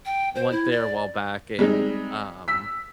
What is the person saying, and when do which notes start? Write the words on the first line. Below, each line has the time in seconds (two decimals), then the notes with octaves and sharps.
went there a while back, and, um,
0.06 G5
0.35 C5
0.52 E4
0.71 D5
1.59 G3 G#3 C4 D#4
2.48 E6 B6